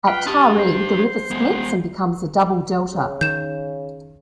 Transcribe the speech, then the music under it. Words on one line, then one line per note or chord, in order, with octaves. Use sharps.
At Taree, the river splits and becomes a double delta.
F4 B4 G5
D4 G4 A5 D#6
C5
G#3 B3
C#3
D#3 G6 E7